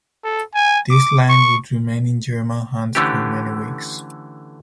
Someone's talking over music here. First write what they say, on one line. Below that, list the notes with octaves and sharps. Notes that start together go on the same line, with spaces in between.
This line would remain in German hands for many weeks.
A4
G#5
D6
C#6
D3 E3 A3 C#4 G4